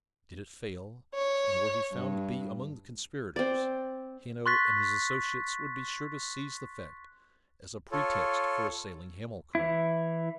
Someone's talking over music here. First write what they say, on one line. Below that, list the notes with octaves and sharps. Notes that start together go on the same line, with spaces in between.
Did it fail, and were he found to be among the conspirators, Hanno and his associates would be sure to seize the fact as a pretext for assailing Hamilcar.
C#5
G2
C4 D5
C6 C#6 F#6 A6 B6
F4 A4 C#5
E3 E4